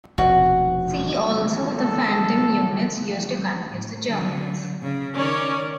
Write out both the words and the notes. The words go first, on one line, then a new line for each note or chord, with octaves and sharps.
See also the "phantom" units used to confuse the Germans.
F1 D#2 B2 F#4
A4
A2
D3 F#3
C#3
D#3 C#4 A#4 C#5 D5